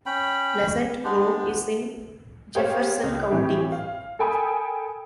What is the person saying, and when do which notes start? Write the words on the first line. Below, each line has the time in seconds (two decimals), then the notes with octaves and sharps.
Pleasant Grove is in Jefferson County.
0.06 C#4 G5 B5
1.04 G#3 B3 D4 G4
2.55 G4 G#4 A#4 C5 C#5 F5
3.04 C#2
3.31 A2 E3 C4 E4 G4
3.72 F5
4.19 A4 A#4 G5 G#5 B5 D#6